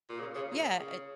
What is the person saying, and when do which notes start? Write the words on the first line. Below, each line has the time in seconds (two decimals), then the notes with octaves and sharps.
yeah, uh,
0.09 A#2
0.20 C#3
0.35 C#3
0.51 A#2
0.79 C#3